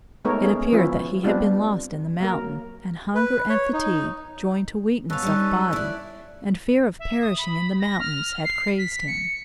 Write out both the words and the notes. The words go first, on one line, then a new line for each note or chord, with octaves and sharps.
It appeared that he had been lost in the mountain, and hunger and fatigue, joined to weakness of body, and fear of perishing in the mountains had crazed him.
G#3 A3 B3 D#4 A#4 C#5
B3 C#4 G#4
F3 B3 C#4 E4 F4
G3 B3 C4 D4 F4 G4
F#3 A#3 A#4
B4
C#5
D#4
B2 C#4 A4 B4 F5
G3 D#4
E4 D5
E5
D#6
B5
A#6
F6
C7
B6
C#7